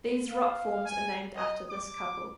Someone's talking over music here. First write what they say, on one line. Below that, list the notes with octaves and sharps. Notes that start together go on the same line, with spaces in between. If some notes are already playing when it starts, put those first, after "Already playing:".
These rock forms are named after this couple.
F5
G#5
D#5
D6